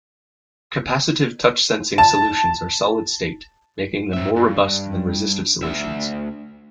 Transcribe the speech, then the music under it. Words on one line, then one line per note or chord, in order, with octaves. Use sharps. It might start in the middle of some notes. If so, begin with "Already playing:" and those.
Capacitive touch sensing solutions are solid state, making them more robust than resistive solutions.
A5
G#2 E5
G2
D2 E5